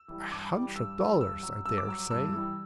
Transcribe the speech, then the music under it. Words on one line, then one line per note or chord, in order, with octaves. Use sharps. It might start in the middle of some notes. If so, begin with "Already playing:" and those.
'A hundred dollars, I dare say.
Already playing: E6
E3 G3
G2 D6
E3 G3
G2 E6
E3 G3
G2 E6
F#3
G2 E6
D6
F#3 E6
G2 E6
E3 G3